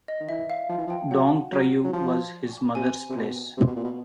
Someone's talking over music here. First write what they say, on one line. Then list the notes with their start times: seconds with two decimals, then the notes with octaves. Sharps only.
Dong Trieu was his mother's place.
0.08 D#5
0.20 D#3
0.29 E3 E5
0.50 F5
0.69 F3
0.78 E3
0.87 F3
0.90 G5
1.11 F#3 F#5
1.52 F#3
1.84 F#3
1.93 F3
2.75 C3 G#5
3.09 C3
3.17 B2
3.57 C3
3.67 B2
3.76 A#2
3.84 B2